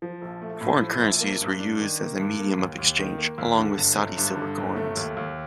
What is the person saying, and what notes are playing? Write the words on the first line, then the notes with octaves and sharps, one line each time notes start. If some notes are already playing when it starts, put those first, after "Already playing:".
Foreign currencies were used as a medium of exchange, along with Saudi silver coins.
F3
A#1
A3
A2
F3
A#1
A#3
G2
D4
D#3
A#3
G2
A#3
D#2
D#2
D#3
A#3
D#2
D3
G1
G1
G2
D3
G1
A3
D#2
D#2